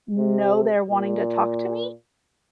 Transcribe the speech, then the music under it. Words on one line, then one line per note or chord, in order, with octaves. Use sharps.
know they're wanting to talk to me
C3
A#2